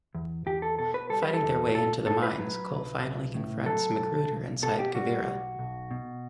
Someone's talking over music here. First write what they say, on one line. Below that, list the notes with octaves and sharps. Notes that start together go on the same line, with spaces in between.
Fighting their way into the mines, Cole finally confronts Magruder inside Quivira.
E2
E2 G4
A4
B2 A4
B4
G3 A4
B4
A4
E2
B1 A4
A2 A4
B4
F#3
B1
B1
A2
F#3 A4
B1
B1
B2 A4
G4
G3 F#4
B1
B1
B2